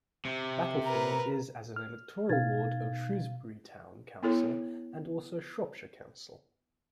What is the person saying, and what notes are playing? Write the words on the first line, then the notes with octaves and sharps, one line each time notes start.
Battlefield is as an electoral ward of Shrewsbury Town Council and also Shropshire Council.
C3
A#4 B4 A#5
F6
B2 D#4 F5 G#6 A6
B3 E4 A4 C#5